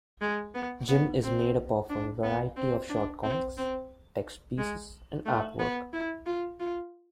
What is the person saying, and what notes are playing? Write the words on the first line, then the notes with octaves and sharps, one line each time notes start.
"Jim" is made up of a variety of short comics, text pieces, and artwork.
G#3
B3
B3
C4
D4
B3
C4
D4
C4
C4
G#3
A3
B3
E4
F4
F4